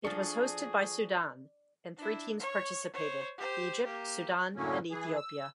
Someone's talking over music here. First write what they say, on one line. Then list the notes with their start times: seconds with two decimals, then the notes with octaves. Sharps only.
It was hosted by Sudan, and three teams participated: Egypt, Sudan, and Ethiopia.
0.05 F3 D4 F#4 G#4 A4 D5 C#6
1.97 D4 E4
2.39 C#5 C#6
2.93 C5 C#5
3.38 G4 C5
3.86 A#3 G4
4.56 F#2 A2 D3 F#3 A#3 C#4
4.91 E3 G#4
5.17 E6